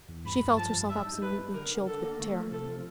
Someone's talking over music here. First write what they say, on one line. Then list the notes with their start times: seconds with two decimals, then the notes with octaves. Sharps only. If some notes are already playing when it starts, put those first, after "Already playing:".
She felt herself absolutely chilled with terror.
0.08 E2
0.25 G2 B5
0.42 G2
0.57 F3 A5
0.73 G2
0.89 G3 E5
1.06 D#4
1.22 G3 B4
1.38 G3
1.54 D3 A#4
1.70 D3
1.87 D3 A4
2.03 A#3
2.19 A3
2.35 F3
2.52 C3 A4
2.68 F3